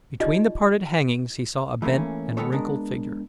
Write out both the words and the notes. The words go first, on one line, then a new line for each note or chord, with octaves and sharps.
Between the parted hangings he saw a bent and wrinkled figure.
D#4 F4 G4 D5 D#5
E3 A3 A#3 C#4
D#3 F#3 G#3 B3 A4 C#5
G#3 B3 D4 A#4